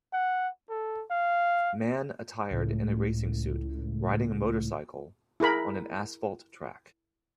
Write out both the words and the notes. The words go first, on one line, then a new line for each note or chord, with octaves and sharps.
Man attired in racing suit, riding a motorcycle on an asphalt track.
F#5
A4
F5
C#2 A2
E4 G#4 A#4 B5